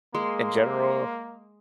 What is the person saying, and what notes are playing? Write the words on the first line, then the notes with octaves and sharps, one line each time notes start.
in general."
G#3 A#3 C6